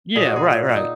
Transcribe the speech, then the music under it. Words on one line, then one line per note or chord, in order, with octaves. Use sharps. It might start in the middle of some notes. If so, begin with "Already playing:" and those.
Yeah. Right, right.
A#2 G#4
F#4
G#3 G#4
A#2
A#2
D#4